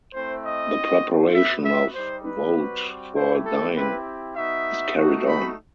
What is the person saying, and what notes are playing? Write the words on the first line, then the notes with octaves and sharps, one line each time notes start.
The preparation of woad for dyeing is carried on.
A3 C4 E4 C5
D#5
C4 F#4
B3 F#4 E5
E5
G3 D#4 G4 C5
B4
G3 C4 F#4
A3 E4 G4 C5
A4
C4 E4 G4 B4
B3 D#4 F#4 E5
A3 D#4 F#4
B5